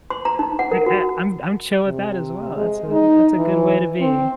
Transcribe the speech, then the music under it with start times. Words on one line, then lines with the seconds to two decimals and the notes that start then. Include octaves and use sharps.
Like I I'm I'm chill with that as well. That's a that's a good way to be.
0.10 C6
0.25 A#5
0.39 D#4
0.59 F#5
0.71 A#4
0.86 F#4
1.87 C3
2.56 G#3
2.92 D#4
3.37 E3
4.01 C4